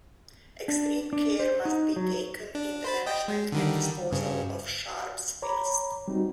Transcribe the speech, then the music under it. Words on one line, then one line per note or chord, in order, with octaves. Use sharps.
Extreme care must be taken in the management and disposal of sharps waste.
D4
D4
C5
D#4
F#3
D4
C5 B5 A6
D#5 G5
G#3
D3 D#3 G3
G2 C#3
C#5 A#5 B5 D6
G3 C4 D#4 F#4